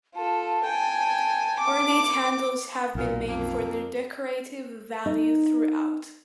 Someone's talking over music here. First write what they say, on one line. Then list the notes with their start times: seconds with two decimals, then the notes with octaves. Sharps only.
Ornate handles have been made for their decorative value, throughout.
0.16 F4 A4 A5
0.65 G5 G#5
1.60 D6
2.95 B1 F#2 A#2
3.26 F2 A#3
5.06 D#4